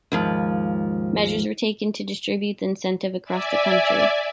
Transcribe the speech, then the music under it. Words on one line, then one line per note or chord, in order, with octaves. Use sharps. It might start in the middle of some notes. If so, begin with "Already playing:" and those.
Measures were taken to distribute the incentive across the country.
D#2 G#2 F3
D5 E5 G#5